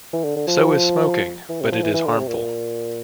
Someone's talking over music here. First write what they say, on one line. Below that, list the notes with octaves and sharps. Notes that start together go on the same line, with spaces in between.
So is smoking, but it is harmful.
E3
D3
D3
F3
E3
C3
F3
E3
E3
D3
C3
A#2